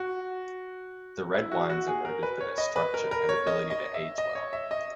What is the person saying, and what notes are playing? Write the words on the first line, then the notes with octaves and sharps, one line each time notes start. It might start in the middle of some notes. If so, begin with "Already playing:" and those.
The red wines are noted for their structure and ability to age well.
Already playing: F#4
E4
F#4
F#4
G#4
A#4
B4
C#5
D#5
B4
A#4
A#4
C#5
D#5
D#5
E5
D#5
C#5
E5
D#5